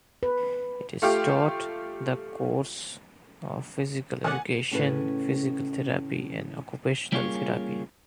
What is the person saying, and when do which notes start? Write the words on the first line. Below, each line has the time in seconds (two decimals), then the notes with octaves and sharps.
It is taught the course of physical education, physical therapy and occupational therapy.
0.23 B4
1.02 A3 F4 G4
4.24 D#3 A3 C#4 D5 F#5 G#5
4.71 A2 C#3 C#4 E4 A4 B4
7.12 G3 A#3 C#4 F4 G#4 C#5